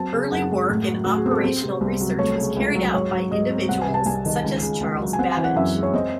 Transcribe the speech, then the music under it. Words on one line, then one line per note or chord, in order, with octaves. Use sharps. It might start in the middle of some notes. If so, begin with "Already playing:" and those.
Early work in operational research was carried out by individuals such as Charles Babbage.
Already playing: F#3 C4 A5
C#3
F#2 F#5
G#3
A2
F#3
A2 F#4
G#4
C4
A4
C4 C5
C3
C2
F#3
A3 C#5
C#3
C#2
F#3
G#2 C#5
F#3
G#2 D#5
C4
C2 F#5
G#5
C3
A5
C2 G#5
D#3
C#2
C#3
C#2
F#3
G#5
C4 F#5
G#5
E3
F#5
F#2 E5
G#3
C#5
C4 D#5